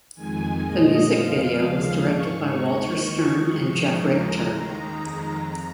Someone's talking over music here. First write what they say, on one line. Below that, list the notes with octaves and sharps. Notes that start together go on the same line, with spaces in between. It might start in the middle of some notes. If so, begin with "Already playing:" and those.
The music video was directed by Walter Stern and Jeff Richter.
F2 D#3 G#3 G#5
A#2 F3 G#3 D#5
F2 F3 G#3 F5
D#2 C#3 F3 G#3
G#2 G#3 C#6
D#2 D#3 G#3
F2 D#3 G#3
G#2 F3 G#3 C#6
D#2 C#3 F3 G#3 A#5
D#2 D#3 G#3
F2 D#3 G#3
F2